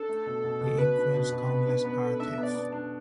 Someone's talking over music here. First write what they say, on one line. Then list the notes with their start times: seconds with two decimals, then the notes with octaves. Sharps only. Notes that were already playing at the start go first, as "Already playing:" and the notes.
He influenced countless artists.
Already playing: D4 A4
0.08 A3
0.26 B2
0.44 B2
0.61 B2
0.78 B2 B4
0.97 D4
1.14 B2
1.32 B2
1.49 B3
1.67 D4
1.85 B3
2.02 A4
2.20 D4 E5
2.38 B3
2.43 D5
2.55 B3
2.72 D4